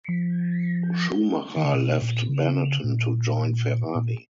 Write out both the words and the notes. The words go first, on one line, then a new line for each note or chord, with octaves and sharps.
Schumacher left Benetton to join Ferrari.
F3
D#3
C#3
B2
A#2
C#3
A#2
A#2